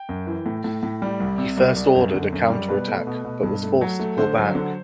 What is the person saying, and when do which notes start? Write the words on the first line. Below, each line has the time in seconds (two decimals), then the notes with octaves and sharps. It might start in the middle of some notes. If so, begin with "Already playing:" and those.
He first ordered a counterattack, but was forced to pull back.
Already playing: G5
0.09 F#2
0.27 E3
0.46 A2
0.64 A2
0.83 A2
1.02 G3
1.20 C2
1.38 C3
1.57 C2
1.76 C2
1.95 F#2
2.13 D3
2.32 F#2
2.50 G3
2.69 B2 B4
2.88 A3
3.07 B2
3.24 B2
3.43 G2
3.63 A3
3.81 F#3
3.99 A3
4.18 D3 C5
4.37 F#3
4.55 D3